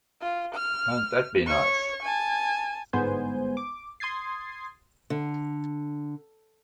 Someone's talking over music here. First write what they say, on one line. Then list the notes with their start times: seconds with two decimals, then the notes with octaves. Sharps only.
Won't that be nice?
0.22 F4
0.55 F6
1.46 C#5 C#6
2.03 G#5 A5
2.93 G1 G#2 B3 C5 G#5 G6
3.57 D6
4.00 C6 D#6 G#6 A6 C7
5.10 D3